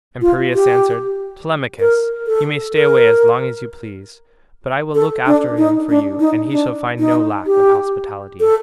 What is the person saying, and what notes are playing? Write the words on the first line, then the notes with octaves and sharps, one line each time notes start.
And Piraeus answered, "Telemachus, you may stay away as long as you please, but I will look after him for you, and he shall find no lack of hospitality."
F4
G4
A#4
A4
A#4
A4
D4
D#4
D4
D#4
D4
D#4
G4
A4